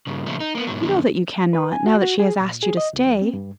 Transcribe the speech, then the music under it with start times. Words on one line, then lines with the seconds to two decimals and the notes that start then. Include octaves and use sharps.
"You know that you cannot, now that she has asked you to stay."
0.07 G2 C#3
0.26 A#2 C#3 F3 A3
0.40 D#4
0.55 A#3 B3
0.67 G#2 B2 F#3
0.82 F2 A#2 D3 F#3
1.53 B4
1.72 G#5
1.86 F#4
2.02 F#4
2.20 G#4
2.40 A#2
2.63 G#4
2.77 D#5
2.93 C#2
3.06 F2
3.22 C4
3.33 G2